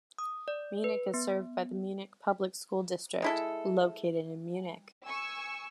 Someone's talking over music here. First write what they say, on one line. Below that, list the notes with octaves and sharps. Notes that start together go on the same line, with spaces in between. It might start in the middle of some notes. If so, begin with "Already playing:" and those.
Munich is served by the Munich Public School District, located in Munich.
D#6
D5
B4
B3
G#3 E4 A4
G#5 C#6 E6